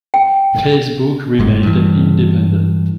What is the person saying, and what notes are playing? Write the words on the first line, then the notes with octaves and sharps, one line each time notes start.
Facebook remained independent.
G5
F#1 G#2 G#3
G2 E3